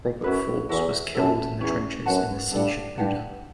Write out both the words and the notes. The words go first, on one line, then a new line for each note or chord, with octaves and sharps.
Robert Forbes was killed in the trenches in the Siege of Buda.
F#2 C#4 E4 B4
E2 F#4 A4 E5
F#2 A4 E5 A5
E2 C#4 G4 C#5
F#2 F#4 B4 F#5 A5
G2 D4 A4 D5 F#5
G2 G4 B4 F#5 A5